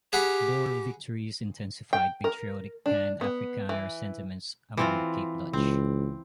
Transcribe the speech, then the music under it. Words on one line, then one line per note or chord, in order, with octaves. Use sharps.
Boer victories intensified patriotic pan-Afrikaner sentiments among the Cape Dutch.
G4 G#4 F#5 B5
G5
A#4
D4
B3
E3
E3 C4 F4
C#2 C4